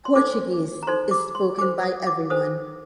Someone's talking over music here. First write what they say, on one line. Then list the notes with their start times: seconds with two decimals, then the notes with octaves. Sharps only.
Portuguese is spoken by everyone.
0.05 C6
0.15 D#4 A4 C5 D6
0.83 A#5
0.87 D#4 A4 C5 C6
1.11 D6
1.35 C6
1.58 D4 A4 C5 D6
1.83 D#6
2.07 D6
2.30 D4 A4 C5 D#6